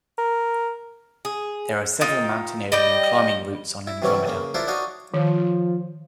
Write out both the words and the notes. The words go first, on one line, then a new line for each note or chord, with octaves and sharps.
There are several mountaineering and climbing routes on Andromeda.
A#4
G#4
D#4 F4 G5
G3 D5 D#5 G5
E4
C3 E3 F#3 G3 C#4
C#3 A#3
D4 E4 F4 A#4 C5
D4 D#4 F#4 C#5 D#5 F5
D#3 F3